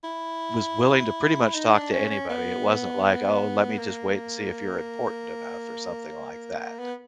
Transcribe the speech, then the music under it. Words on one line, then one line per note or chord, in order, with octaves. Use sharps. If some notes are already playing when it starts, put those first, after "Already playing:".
was willing to pretty much talk to anybody. It wasn't like, "Oh, let me just wait and see if you're important enough," or something like that.
E4
D#4
D4
C#4
C#4
B3
A#3
B3